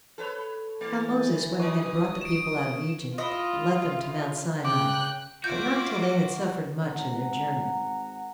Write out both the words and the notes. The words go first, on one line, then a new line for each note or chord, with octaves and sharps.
How Moses When He Had Brought The People Out Of Egypt Led Them To Mount Sinai; But Not Till They Had Suffered Much In Their Journey.
A4 B4 C#5
E3 A3 A6
F3 D#4 C#6 D#6
D7 E7
E4 F4 D#5
C#3 G5 D6 F#6
F4 F#4 E5 D6 G6
G#1 F#5 A#5